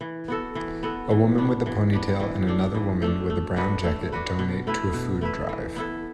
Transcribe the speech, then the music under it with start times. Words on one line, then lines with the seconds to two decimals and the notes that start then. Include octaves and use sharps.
A woman with a ponytail and another woman with a brown jacket donate to a food drive.
0.01 E3
0.28 B3 F#4 A4
0.55 E3
0.83 B3 F#4 A4
1.11 E3
1.38 B3 D4
1.66 E3
1.93 B3 D4
2.20 E3
2.47 A3 D4
2.75 E3
3.02 A3 D4
3.30 A3
3.56 D4 F#4 B4
3.84 A3
4.12 D4 F#4 B4
4.39 B2
4.67 A3 E4 B4
4.93 B2
5.21 A3 E4 B4
5.49 E3
5.76 B3 E4 A4